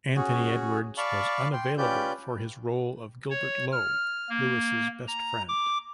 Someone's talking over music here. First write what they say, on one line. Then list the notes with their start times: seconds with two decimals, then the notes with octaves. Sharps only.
Anthony Edwards was unavailable for his role of Gilbert Lowe, Lewis's best friend.
0.16 C#4 F#4 G#4
0.98 D5 F5 A5 B5 C#6
1.53 G5 C6
1.78 C#4 F4 G4 B4 D5 G6
3.30 C#5
3.72 F6
4.29 A#3
5.07 A#5
5.49 D6